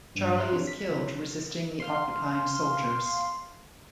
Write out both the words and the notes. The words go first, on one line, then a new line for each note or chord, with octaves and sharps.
Charlie is killed resisting the occupying soldiers.
A1 G2
E5 A#5 C6 F6 F#6
C4 D4 G4 C#5
B6
D3 F#3 C4 E4
F5 C6